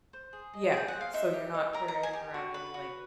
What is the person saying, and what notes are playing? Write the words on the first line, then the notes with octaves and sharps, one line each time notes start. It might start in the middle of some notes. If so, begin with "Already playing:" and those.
yeah, so you're not carrying around any, like,
C5
G#4
D#5
G#4 G5
F#5
C5
F5
D#4 E5
G4
D#4
A#4 A#5
A#5
D#4
G#5
G4
F#4
B4
F#4